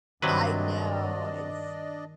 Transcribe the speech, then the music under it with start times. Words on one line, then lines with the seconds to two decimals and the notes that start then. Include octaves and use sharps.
I know. It's
0.22 G2 C3 D#3 F#3 D4 B4 D5 D#5